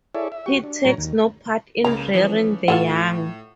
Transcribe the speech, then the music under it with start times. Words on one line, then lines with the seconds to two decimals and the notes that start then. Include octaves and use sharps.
He takes no part in rearing the young.
0.15 E4 G#4 A4 C#5 D5 E5
0.32 E5
0.46 F#4 G4 C#6
0.63 D4
0.85 A2 F#3 C#4 C#5 A#5
0.97 D#2
1.84 C#2 C#3 A#3 A#5
2.13 E3 F3 C#4
2.68 A2 F4 A4 F#5